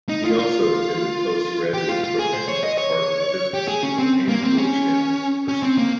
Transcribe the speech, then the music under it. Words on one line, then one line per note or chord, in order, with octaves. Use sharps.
He also attended post-graduate programs at Harvard Business School and Georgetown University.
D#4
F4
F4
G4
F4
F4
G#4
C5
C#5
D#5
C#5
G4
G#4
C#4
C4
A#3
C4
C#4
C#4
C4
A#3